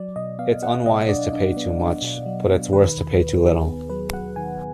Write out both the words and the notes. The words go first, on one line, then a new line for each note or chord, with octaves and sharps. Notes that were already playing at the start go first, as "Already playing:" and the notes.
It's unwise to pay too much, but it's worse to pay too little.
Already playing: F#3 D5
B2 D#5
B3 F5
B3 F#5
B2 D#5
D4 D5
D4
B3
D4
B2
F#3
B2
D#3 B4
D#2
D#2
D#3 G#4
B3
F#3 B4
F#3 F#5
D#3 G#5